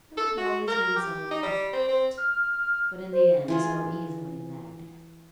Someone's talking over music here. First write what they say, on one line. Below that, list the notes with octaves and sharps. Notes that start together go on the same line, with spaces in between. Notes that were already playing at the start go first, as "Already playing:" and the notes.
Philip had always been so difficult, but in the end so easily led.
A4
F#4
A#4
G4
D#4
G3
C4
C4
F6
C5
E3 F4 G#4